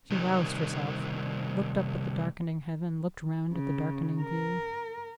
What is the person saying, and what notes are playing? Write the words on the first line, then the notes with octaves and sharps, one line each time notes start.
She roused herself; looked up at the darkening heaven, looked round at the darkening view.
C2 D#3
C#3
A#4